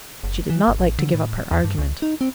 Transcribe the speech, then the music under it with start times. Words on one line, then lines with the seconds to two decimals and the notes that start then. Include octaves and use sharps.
She did not like to give up her argument.
0.23 F#1
0.50 E3
0.68 G1
0.79 A1
0.99 D3
1.14 A2
1.51 E2
1.64 G2
1.79 C#2
2.02 D#4
2.21 C4